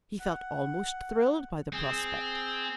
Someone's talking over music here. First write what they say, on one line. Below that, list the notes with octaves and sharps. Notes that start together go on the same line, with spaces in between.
He felt almost thrilled by the prospect.
F#5
C4 G#4